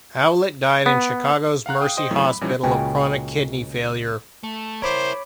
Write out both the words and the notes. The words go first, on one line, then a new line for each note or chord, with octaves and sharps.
Howlett died in Chicago's Mercy Hospital of chronic kidney failure.
B3
F5 F#5 A#5 F#6
F5 G5 D#6
C5 D#5 G5 D#6
G1 E3 F#3 A3 C4 E4
B5
A#2 E3 F3 G3 C#4 D#4
C#2 A#2 C#3 F#4 G5 G#5
A3
E4 A#4 C5 C#5 B5 D6